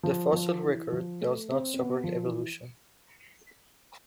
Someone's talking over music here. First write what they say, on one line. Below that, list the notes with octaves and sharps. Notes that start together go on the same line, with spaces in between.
The fossil record does not support evolution.
F3
F3
E3
F3
A3
C4
C4
B3
F3
E3